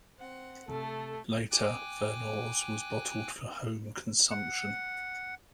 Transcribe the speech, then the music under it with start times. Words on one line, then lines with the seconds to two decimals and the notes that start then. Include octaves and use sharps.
Later Vernors was bottled for home consumption.
0.18 C4 F#5
0.68 C3 A3 C4 A4
1.51 G5 G#5 D6 F#6
4.31 F#5